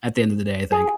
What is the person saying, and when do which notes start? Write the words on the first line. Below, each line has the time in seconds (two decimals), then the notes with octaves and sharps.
at the end of the day, I think.
0.72 G#4